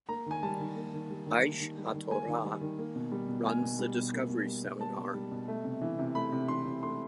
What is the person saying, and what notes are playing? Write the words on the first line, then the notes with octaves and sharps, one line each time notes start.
Aish HaTorah runs the Discovery Seminar.
A#3 A#5
D#3 G#5
G3 A5
D#3
A#3
D#3
G3
D#3
A#3
D#3
G3
D#3
A#3 G#5
D#3
G3
D#3
A#3
B2
G3
B2
A#3 G#5
B2
G3
B2
A#3
B2
G3
B2
A#3 A5
B2
G3
B2
A3
C3
E3
C3
A3 B5
C3
E3 C6
C3
A3 C6